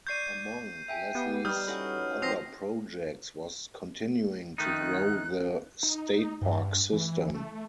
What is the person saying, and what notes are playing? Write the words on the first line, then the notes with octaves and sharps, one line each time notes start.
Among Leslie's other projects was continuing to grow the state park system.
D5 C#6 G6 G#6 C7 D#7
E5 G5 G#5
B3 G4 F5
G3 D#4 B4 D#6 F6 G6
C#4 E4 F#4 A4 B5
F3 C4 D#4 D#6 A#6 C7 F7
D#3 A3 D#4 F#6
D#4
G2
E3
A3